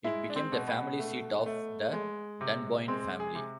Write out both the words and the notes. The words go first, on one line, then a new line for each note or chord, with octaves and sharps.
It became the family seat of the Dunboyne family.
G#3 E4
D4
C4
B2
B3
A3
A3
G#3
C3
G#3 C4
G#4
C3